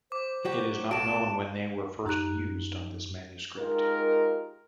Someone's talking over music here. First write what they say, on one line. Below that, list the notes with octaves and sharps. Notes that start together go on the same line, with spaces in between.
It is not known when they were first used on this manuscript.
C5 D6
F#3 F#4 G4
B1 A3 F#4 A5 D7 E7
F#2 D#4 G4 A#5 F#6
G#3 D#4 F4 G4 A#4